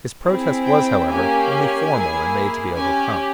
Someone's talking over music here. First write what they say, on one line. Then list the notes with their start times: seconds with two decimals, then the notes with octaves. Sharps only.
His protest was, however, only formal and made to be overcome.
0.23 C4 E4 G#4
0.65 G5
1.07 A#3 C#4 G4 G#5
1.49 G#5
1.91 A#3 E4 G#4
2.74 C#4 G4 G#5